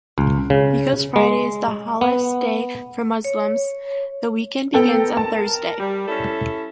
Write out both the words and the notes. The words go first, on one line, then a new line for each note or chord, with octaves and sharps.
Because Friday is the holiest day for Muslims, the weekend begins on Thursday.
C#2
C#3
G#3
B3
C#5
B3 A4 A#4 G5
A5
G3
C#4 E4 A4